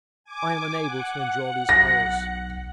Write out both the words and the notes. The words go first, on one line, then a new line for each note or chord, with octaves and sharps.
I am unable to endure these horrors.
G#5 D6
F#5
B1 A#6